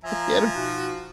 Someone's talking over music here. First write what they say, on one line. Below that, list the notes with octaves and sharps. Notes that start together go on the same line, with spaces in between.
I can't
F3 E5 G#5 A#5
B2 D#4 F#4